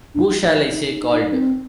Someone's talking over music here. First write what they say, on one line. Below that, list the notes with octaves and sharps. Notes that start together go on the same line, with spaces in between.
Who shall I say called?
D4
D#4
D#4
C4